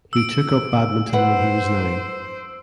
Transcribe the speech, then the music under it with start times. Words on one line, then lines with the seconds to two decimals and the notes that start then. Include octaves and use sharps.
He took up badminton when he was nine.
0.13 E6 D7
1.13 B4 C5 F#5